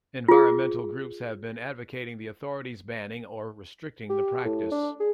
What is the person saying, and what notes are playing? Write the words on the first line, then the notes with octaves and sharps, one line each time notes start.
Environmental groups have been advocating the authorities' banning or restricting the practice.
F4 G#4
G4
A2
D4
G#4